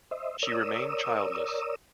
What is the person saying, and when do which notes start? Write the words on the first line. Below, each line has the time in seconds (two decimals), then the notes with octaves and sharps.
She remained childless.
0.11 C5 D#5 E5
0.43 A#4 C#5 D5 D#6 E6